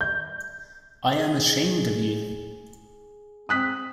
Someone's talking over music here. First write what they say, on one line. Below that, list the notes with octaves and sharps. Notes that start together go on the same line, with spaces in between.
I am ashamed of you!
G6
G#4
C4 D#6 F#6 B6